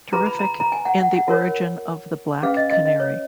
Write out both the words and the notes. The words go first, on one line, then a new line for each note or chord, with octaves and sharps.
Terrific, and the origin of the Black Canary.
F4 G#4 B4 A#5
B5
A#5
A#5
G#5
F#5
F#5
F#5
F4 A#4 C#5
C#4 G#4 B4 F5
D#5
D#5
D#5
C#5